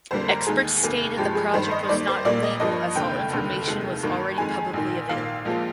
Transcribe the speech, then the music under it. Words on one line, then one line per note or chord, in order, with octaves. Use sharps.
Experts stated the project was not illegal as all information was already publicly available.
F2 D3 G3 A#3 C5
A#4
D#2 D#3 G#3 G#4
F1 D#2 D#3 A#3
G2 F3 G#3 G4
G#4
G2 D#3 G3 C5
D#5
D#2 D#3 G3 A#3 D5
C5
A#1 A#2 G3 A#3 D5
D#5
G2 F3 A#3 D#5
F1 D#2 D3 G5
F1 D#2 D3
F1 D#2 D#3 G#3
G2 D#3 A#3
F2 D#3 G#3 G#5
A#1 G#2 D#3
A#1 G#2 D#3 A#3 F5
A#1 A#2 F3 G#3